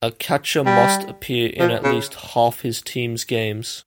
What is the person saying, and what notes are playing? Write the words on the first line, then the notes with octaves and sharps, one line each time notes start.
A catcher must appear in at least half his team's games.
G3
F3
C#3